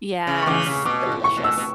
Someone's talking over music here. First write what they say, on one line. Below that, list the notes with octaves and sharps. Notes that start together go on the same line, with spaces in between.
Yes, delicious.
C#3
C#6
C#3 E3 D6
C#3
B2 D6
A2
C#6
B2
E6
B2